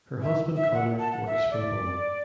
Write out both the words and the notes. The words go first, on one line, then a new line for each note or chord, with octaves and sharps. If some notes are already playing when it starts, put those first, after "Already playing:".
Her husband Conor works from home.
E5
E5
F#5
A5
F#5
E5
D5